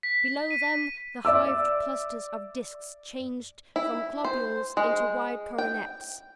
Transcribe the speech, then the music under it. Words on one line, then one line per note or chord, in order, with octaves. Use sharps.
Below them the hived clusters of disks changed from globules into wide coronets.
B6
D#7
D5 E5 D6 E6
E4
C5
G#3
G5